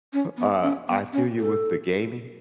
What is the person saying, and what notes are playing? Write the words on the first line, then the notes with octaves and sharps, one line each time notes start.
uh, I feel you with the gaming.
C#4
B3
C#4
B3
C#4
A4